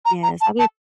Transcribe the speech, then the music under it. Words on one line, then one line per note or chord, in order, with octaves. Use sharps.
Yes, I'll be
A#5
A#5
A5
A5